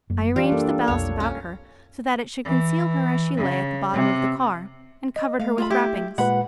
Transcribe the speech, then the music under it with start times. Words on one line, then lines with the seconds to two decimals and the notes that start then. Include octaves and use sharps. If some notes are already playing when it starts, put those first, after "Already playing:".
I arranged the ballast about her so that it should conceal her as she lay at the bottom of the car, and covered her with wrappings.
0.10 F#1 F#2 A#3
0.36 E3 G3 D4 F4
0.52 A#3 A4
0.88 B1 F2 C#5
1.20 C#4
2.45 E3
3.37 C#3
3.94 C3
5.16 D#5
5.40 A3 F5
5.58 F4 A4 B5
5.70 E4 G4
6.18 A#2 G#3 B4 F#5 B5